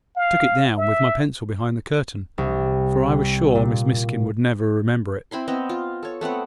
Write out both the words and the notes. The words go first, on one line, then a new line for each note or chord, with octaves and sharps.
I took it down with my pencil, behind the curtain; for I was sure Miss Miskin would never remember it.
F5
E5
C2
A#2
C4 E4 B5 C6
B3 C4 D#5
F4
A4 C#5
A3 B3 C4 F#5